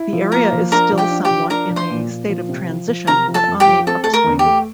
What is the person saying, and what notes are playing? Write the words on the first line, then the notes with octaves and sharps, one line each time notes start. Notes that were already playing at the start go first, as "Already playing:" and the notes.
The area is still somewhat in a state of transition, but on the upswing.
Already playing: E4
F3
A#3 A#4 A#5
F3
D4 A#4 A#5
F3
G4 G5
D4
G4 G5
F3
D4 A#4 A#5
F3
C5 C6
A#2
A#2
F3
C3
F3
F3
C3 A#4 A#5
F3
A4 A5
F2
G4 G5
F3
C4 A4
A3 A4
A#4
E2
G4
A3